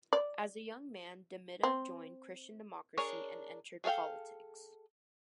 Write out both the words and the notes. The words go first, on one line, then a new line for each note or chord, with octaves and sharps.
As a young man De Mita joined Christian Democracy and entered politics.
D5
C4
D4 G#4 A#4 C#5
G#4 A4 D#5 F5 G5